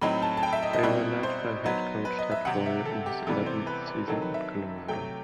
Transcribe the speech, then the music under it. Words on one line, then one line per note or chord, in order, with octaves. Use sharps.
They were led by head coach Tad Boyle in his eleventh season at Colorado.
A2 F#3 C4 D#4 B5
A5
A5
G5
E5
D#5
D#5
B2 G3 C4 E4
C5
F#3 B3 D#4
B4
D#5
E5
C3 F#3 C4 F#5
E5
A4
G4
C3 E3 G3 B3 A4
C5
B4
B4
D#3 F#3 C4 D#4 A4
B4
E5
C3 F#3 A3 G5